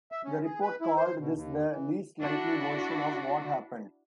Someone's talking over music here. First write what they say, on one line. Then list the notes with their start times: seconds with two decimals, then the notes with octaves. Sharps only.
The report called this the "least likely version" of what happened.
0.12 E5
0.25 C#4
0.44 G#4
0.61 B4
0.81 E4
0.96 C5
1.19 B2
1.34 D#2
1.70 E3
2.20 D4 E4 F#4